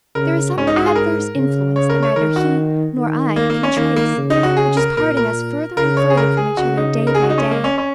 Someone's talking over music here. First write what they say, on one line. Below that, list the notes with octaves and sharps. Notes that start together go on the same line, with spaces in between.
There is some adverse influence that neither he nor I can trace which is parting us further and further from each other day by day.
C#3 A#4
G#2 C#4
D#4
F#4
G#4
A#4
C#3
C#5
A#4
C#5
D#3 A#4
F#4
D#3
A#3
A#3
C#4
D#3 A#3
A#3
C#3
D#4
F#4
G#4
A#4
A#2 A#4
A#4
C#3 A#4
C#5
G#4
A#4
G#4
C#3 F#4
D#4
A#4
G#4
F#4
D#4
C#4
A#3
C#4
C#4